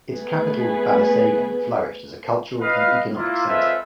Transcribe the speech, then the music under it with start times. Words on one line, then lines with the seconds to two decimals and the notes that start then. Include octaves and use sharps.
Its capital, Balasagun flourished as a cultural and economic centre.
0.12 A3 B3 G#4 B4
2.60 B4 D#5 F5
3.16 A#3 E4 F4
3.47 G#3 C4 F4 A4 B4 E5